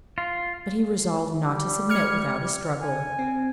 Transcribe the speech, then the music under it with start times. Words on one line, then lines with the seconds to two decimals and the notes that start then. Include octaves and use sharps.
But he resolved not to submit without a struggle.
0.18 F4
1.44 G3
1.89 F6 G#6 C#7
2.82 G#5
3.19 C4